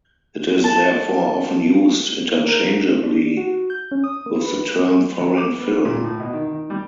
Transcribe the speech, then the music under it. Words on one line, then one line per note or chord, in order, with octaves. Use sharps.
It is therefore often used interchangeably with the term foreign film.
A5
A#3
A#4
C4
D4
F#4
G6
C#4
D#6
A#3
B4
F#3
D6
B3
A#2
A2
B2
D#3
D#3
G3